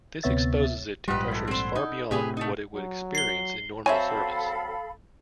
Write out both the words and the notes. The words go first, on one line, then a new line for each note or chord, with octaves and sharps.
This exposes it to pressures far beyond what it would experience in normal service.
D2 C3 B3 C#5 E5 A6
A#1 G#2 G3 F4 G4 B4 D#5 F#5
E4 A4
C4 C5
D#4
A2 C3 G4 G#4 B4
A3 D#4
F#3
C7 G7
F#3 C4 A4 E5 F5 G#5 B5